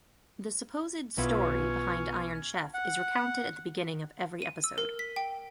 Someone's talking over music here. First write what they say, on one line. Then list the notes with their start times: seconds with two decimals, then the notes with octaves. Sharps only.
The supposed "story" behind "Iron Chef" is recounted at the beginning of every episode.
1.18 B1 B3 C#4 E4 F4
2.74 F#5
4.42 D#7
4.64 E6
4.78 A#4
4.99 B6
5.16 G5